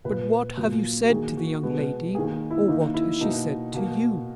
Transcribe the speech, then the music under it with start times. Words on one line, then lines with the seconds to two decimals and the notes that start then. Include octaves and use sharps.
"But what have you said to the young lady,--or what has she said to you?"
0.04 A#2 A#3 B4
0.57 A#2 F#3 A#3
1.03 F#4
1.10 D#3 A#3 G#4
1.37 F#4
1.63 B2 G#3 B3
2.15 D#3 A#3 G#4
2.50 E4
2.68 D#3 A#3 D#4
2.94 E4
3.21 B2 A#3 D#4
3.74 B2 A#3